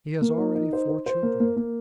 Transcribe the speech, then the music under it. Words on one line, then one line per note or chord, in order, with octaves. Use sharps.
He has already four children.
A#3
D#4
D#4
C5
C5
C5
A#3
A#3
A#3